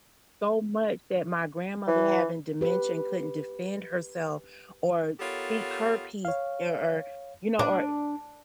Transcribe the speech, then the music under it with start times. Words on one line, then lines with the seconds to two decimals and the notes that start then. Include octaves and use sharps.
so much that my grandmother having dementia and couldn't defend herself or speak her piece or or, you know, or
1.87 E3
2.61 G4 B4
5.20 B3 F4 G4 A4 A#4 C#5
6.25 C#5 F5
7.59 D4